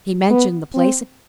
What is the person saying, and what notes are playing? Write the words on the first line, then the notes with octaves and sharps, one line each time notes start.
He mentioned the placing.
B3
C4